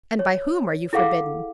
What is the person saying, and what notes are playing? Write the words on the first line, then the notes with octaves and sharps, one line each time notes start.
"And by whom are you forbidden?"
C#5
E4 G#4 A4 F5 F#5 D6